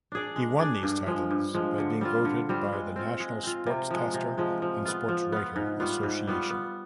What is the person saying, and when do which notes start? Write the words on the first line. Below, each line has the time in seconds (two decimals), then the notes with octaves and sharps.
He won these titles by being voted by the National Sportscaster and Sportswriter Association.
0.12 D4 G#4 D5
0.36 G#3
0.60 D4 G#4 D5
0.83 G2
1.07 F3 G#3
1.31 G2
1.55 F3 G#3
1.78 D3
2.01 G3 C4 F4
2.25 D3
2.49 G3 C4 F4
2.73 G#3
2.96 C4 F4
3.20 G#3
3.43 C4 F4
3.66 C3
3.91 F3 G#3
4.14 C3
4.38 F3 G#3
4.62 F3
4.85 B3 F4
5.09 F3
5.32 B3 F4
5.56 G#2
5.80 G3 B3 F4
6.03 G#2
6.27 G3 B3 F4
6.50 B3